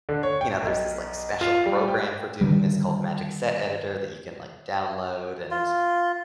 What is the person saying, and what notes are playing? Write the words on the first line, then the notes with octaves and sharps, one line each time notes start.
you know, there's this, like, special program for doing this called Magic Set Editor that you can, like, download and
D3
C#5
G5
B1
F4
G3
G5
D3 D#3 G3
F4